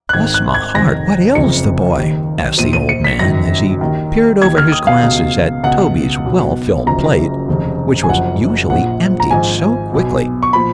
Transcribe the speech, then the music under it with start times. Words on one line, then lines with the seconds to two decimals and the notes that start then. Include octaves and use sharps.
"Bless my heart! what ails the boy?" asked the old man, as he peered over his glasses at Toby's well-filled plate, which was usually emptied so quickly.
0.09 F#6
0.13 G#1 G#2 D#3 G#6
0.34 F#6
0.54 G#6
0.75 F1 F2 D#3 A#6
1.35 F#1 F2 C#3 F3 C#7
1.97 D#2 D#3
2.58 A#1 A#2 F3 D#7
2.73 D#7
2.89 C#7
3.04 B6
3.19 F#1 F#2 D#3 A#6
3.81 D#2 D#3
4.42 D#2 D#3 G#6
4.58 F6
4.72 D#6
4.87 F5
5.03 C#2 B2
5.64 C#2 B2 F#5
6.25 B1 B2
6.86 F#1 F#2 C#3 F3 A#5
7.48 F1 D#2 C#3
8.04 G#5
8.08 F#1 F#2 C#3 F3 F#5
8.70 A#1 A#2 F3 F#5
9.20 A#5
9.31 G#1 G#2 F3 G#5
9.92 B1 B2
10.43 C#6
10.53 A#2 F3 B5